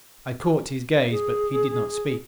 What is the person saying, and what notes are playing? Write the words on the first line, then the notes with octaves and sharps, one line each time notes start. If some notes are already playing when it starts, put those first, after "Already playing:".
I caught his gaze but he did not speak.
G#4